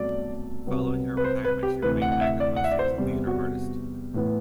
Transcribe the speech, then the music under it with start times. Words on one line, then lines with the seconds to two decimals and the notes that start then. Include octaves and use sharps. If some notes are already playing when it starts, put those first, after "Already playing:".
Following her retirement, she remained active mostly as a theater artist.
Already playing: C2 B2 F#3 A3 D5
0.67 C2 C3 F#3 B3
1.17 B4
1.24 C5
1.44 B4
1.63 G4
1.82 D2 C3 E3 B4
2.02 F#5
2.12 F#5
2.21 E5
2.40 D5
2.56 F#5
2.64 E5
2.71 D5
2.79 C5
2.98 E2 C3 G3
3.27 F#4
4.14 A2 E3 B3